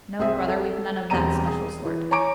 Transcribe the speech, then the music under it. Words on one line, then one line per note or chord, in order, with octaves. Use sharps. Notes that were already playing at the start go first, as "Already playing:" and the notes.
"No, brother, we've none of that special sort."
C2 C4 G#4 E5
A4
E1 E2 G3 C4 A#5 D#7
G#4
E3
C#5 G#5 A#5 C#6 D6 D7